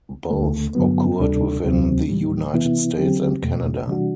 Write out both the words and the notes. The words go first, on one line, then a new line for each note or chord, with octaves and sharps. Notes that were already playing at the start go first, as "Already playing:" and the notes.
Both occurred within the United States and Canada.
D2 D3 A3
G2 D3 F#3 B3
D2 C3 G3 D4 A4
D2 C3 F#3 C4
A2 E3 G3
C3 E3 B3 E4
D3 F#3 C4 G4
E2 B2 A3
C3 E3 G3 D4 F#4